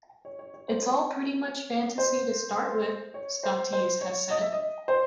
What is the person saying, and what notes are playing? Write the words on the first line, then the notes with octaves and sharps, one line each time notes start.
"It's all pretty much fantasy to start with", Scotese has said.
C#5
C#5
C#5
C5
C#5
C5
C#5
C5
C5
C#5
D#5
E5
D#5
C5